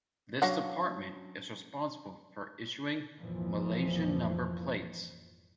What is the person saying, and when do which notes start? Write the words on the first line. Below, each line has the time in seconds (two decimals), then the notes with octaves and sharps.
This department is responsible for issuing Malaysian number plates.
0.42 F#3 C#4 D4 F#4 F5 F#5
3.18 G#1 F2 A#2 E3 F3